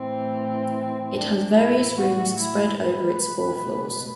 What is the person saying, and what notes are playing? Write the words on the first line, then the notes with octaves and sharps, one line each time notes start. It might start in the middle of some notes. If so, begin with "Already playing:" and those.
It has various rooms spread over its four floors.
Already playing: A2 E3 C4
D4
A2 E3 E4
F#4
E4
B4
B2